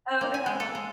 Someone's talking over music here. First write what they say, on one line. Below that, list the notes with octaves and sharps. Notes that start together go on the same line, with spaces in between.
Oh, no.
A#3
G#5
G#3
A4
G#3